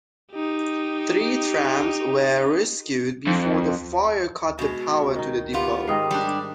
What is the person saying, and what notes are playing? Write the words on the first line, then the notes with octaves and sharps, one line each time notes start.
Three trams were rescued before the fire cut the power to the depot.
D#4 G4
F2
B2 G#3 F#4
D#3 D#4
B3 F4 G4
G#2 D#3 D#5 G5 D#6 C7
G3 D4